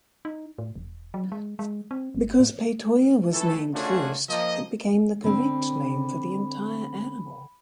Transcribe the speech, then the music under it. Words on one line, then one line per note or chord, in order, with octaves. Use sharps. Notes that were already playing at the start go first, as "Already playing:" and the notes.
Because "Peytoia" was named first, it became the correct name for the entire animal.
D#4
A2
E1
F#3
G#3
G#3
C4
G1
A2
E3 A3 A4
A3 C#4 D4 F4 F#4 G#4
F3 A#3 D#5
D3 C4 B5